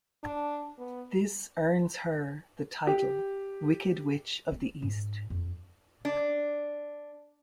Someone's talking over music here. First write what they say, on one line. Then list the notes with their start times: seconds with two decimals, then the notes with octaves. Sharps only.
This earns her the title "Wicked Witch of the East".
0.23 D4
0.79 B3
2.87 G4
4.52 C4
4.82 G#2
5.30 F2
6.05 D4